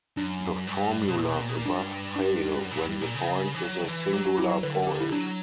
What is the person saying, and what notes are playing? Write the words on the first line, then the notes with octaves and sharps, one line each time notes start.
The formulas above fail when the point is a singular point.
F#2 D4
G2
B2
A#2
B2
A#2
B2
A#2
G2 D4
D4
F#2
A#2
G2
G2
A#2
C#3
E3
F#3
D3
E3
F#3 G4
F#4
E4
C#5
D3 B4
A#4
G4
E4
F#3 D4